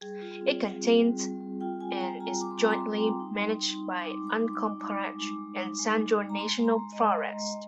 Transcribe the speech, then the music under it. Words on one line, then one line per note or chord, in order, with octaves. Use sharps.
It contains and is jointly managed by the Uncompahgre and San Juan National Forests.
G3 G#4
F4
C4
G3
C4
G3
G3
G3
F4 G5
F4 G#5
G3 A#5
F4 A#5
G3 D6
C6
C4 A#5
C6
C4
G3
D#4
D#4
D#4
D#4
D#4 D6
G#3
D6
D#4
D6
D#4
G#3 D6
D#4
G#3
G#3
D#4
G#3
G#3
G#3
A#5
G#3 C6
G#3
A#5
G#3
D#5
G#3
G#3
G#3